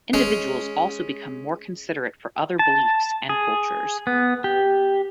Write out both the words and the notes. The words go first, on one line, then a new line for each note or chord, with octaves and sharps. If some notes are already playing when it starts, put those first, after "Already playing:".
Individuals also become more considerate for other beliefs and cultures.
G#3 C#4
A5
G#4
B3
G4